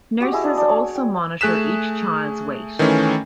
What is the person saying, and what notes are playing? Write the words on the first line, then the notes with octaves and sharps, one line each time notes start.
Nurses also monitor each child's weight.
F#4 G4
E4 G#4 D#5
D4 D#6
D4
C#5
G5
A3 G#4 F#6 B6 E7
D#3 E3 A3 C#4